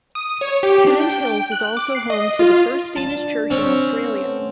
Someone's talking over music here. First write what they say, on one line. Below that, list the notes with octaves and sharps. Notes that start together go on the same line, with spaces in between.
Pennant Hills is also home to the first Danish Church in Australia.
D#6
C#5
G4
D4
G5
F#6
D6
C7
D#5
F4
D4 A5
C4 C#4
A3 B3 C#5